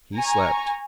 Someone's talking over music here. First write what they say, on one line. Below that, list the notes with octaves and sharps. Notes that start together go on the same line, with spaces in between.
He slept.
G#5 A#5 C#6